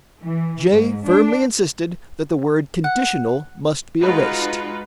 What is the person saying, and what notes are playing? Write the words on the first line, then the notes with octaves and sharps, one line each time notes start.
Jay firmly insisted that the word "conditional" must be erased.
E3
G#2
D4
F#5
G#3 D#4 F4 F#4 B4